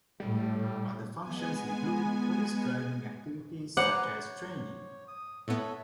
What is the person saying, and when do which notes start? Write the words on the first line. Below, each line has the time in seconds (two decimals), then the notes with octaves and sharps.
Other functions include police driving activities such as training.
0.20 A2 G3
1.20 G#3 B3 G#5
3.77 B4 C5 F#5 G#5 A#5 D6
4.16 C#5
5.08 D#6
5.48 A2 B3 A4 C#5 E5